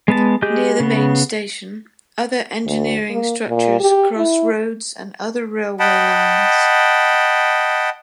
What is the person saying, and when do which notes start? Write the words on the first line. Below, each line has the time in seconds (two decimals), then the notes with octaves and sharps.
Near the main station, other engineering structures cross roads and other railway lines.
0.08 G#3 B3 A5
0.42 G#3 G4 G#4 G6
0.80 C#3 B3
2.66 D2
3.10 A#3
3.49 A#2
3.80 G4
4.17 E4
5.79 D#5 F#5 G5 A5 B5